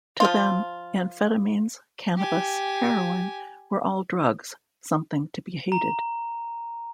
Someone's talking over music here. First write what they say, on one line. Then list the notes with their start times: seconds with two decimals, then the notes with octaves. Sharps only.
To them amphetamines, cannabis, heroin were all drugs - something to be hated.
0.20 F3 F4
2.17 G4 G#5
5.72 A#5